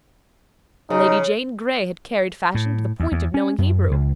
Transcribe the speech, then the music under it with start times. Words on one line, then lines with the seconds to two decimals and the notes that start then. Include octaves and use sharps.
Lady Jane Grey had carried fashion to the point of knowing Hebrew.
0.90 C#3 D#4
2.55 A2
3.00 E2
3.12 E2
3.34 C#4
3.58 F#2
3.91 C#2